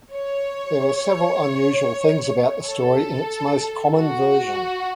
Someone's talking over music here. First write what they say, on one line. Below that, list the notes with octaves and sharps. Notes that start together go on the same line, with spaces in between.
There were several unusual things about the story in its most common version.
C#5
A4
F#4